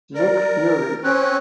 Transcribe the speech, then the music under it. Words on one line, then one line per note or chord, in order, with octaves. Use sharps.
Nick Fury.
A#4 D5
C4 C#4 F#6